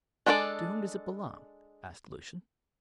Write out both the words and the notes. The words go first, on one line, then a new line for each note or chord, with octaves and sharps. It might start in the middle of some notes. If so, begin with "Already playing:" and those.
"To whom does it belong?" asked Lucian.
G#3 D4 A4 C5 D5